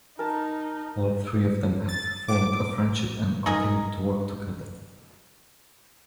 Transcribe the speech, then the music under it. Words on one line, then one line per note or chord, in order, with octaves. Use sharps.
All three of them have formed a friendship and continued to work together.
D#4 A#4 A5
A6
D6
D#4 G#4 A#4